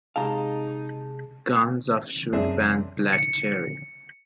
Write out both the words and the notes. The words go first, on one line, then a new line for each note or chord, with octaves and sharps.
Guns offshoot band Black Cherry.
C3 G#3 D#4 G#4 F5 A5 A#5
F#2 C4 D4 G#4 E5
C#7